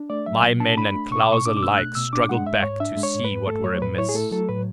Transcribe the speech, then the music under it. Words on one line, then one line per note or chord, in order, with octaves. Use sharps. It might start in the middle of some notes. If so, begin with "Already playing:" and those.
My men and Klow's alike struggled back to see what were amiss.
Already playing: D4
A3 D5
F#3 E5
B2
D4 A5
D4 B5
A3
B2 C#6
D6
B2 C#6
D4 D6
D6
A3 E6
B2 F#6
B2 E6
D4 D6
G#3 F#5
G#2 E5
G#2 C#5
D4 E5
G#3
C#5
G#2
B4
G#2
A3 A4
F#3 C#5
A2 B4
E4 C#5
G#4
A3 A4
F#3 A4
A2 B4